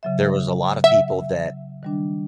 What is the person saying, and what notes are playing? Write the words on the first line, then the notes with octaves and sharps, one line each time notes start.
there was a lot of people that
C#3 F#3 E5
E5 F#5
D#3 G3 D4